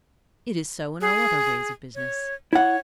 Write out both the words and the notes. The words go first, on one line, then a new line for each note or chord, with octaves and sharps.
It is so in all other ways of business.
G#4
C#5
E4 C#5 F#5